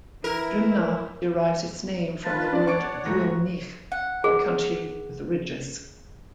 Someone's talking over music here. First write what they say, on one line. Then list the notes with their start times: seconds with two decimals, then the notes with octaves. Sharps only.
Drimnagh derives its name from the word "druimneach", or country with ridges.
0.24 E3 E4 A#4
2.25 F4 B4 A5
2.53 D4 D5
2.67 C#5 F#5 C#6 D6 D7
3.05 D2 G#2 A3 F#4 A#6
3.92 F#5
4.24 G#4